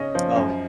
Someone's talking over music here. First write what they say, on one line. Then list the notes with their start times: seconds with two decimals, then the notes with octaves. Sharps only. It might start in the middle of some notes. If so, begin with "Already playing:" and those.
Oh, it
Already playing: C#3 C#4 D#5
0.15 F3
0.36 F#2